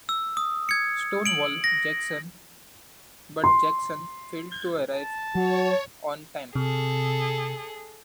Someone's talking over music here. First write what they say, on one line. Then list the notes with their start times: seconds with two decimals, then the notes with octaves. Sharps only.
"Stonewall" Jackson, but Jackson failed to arrive on time.
0.09 E6
0.37 D#6
0.69 G#6 C#7
1.25 D7 F#7
1.64 A#6
3.44 C6
4.94 A5
5.35 F#3 F#4 C#5
6.55 C3 G#4 A4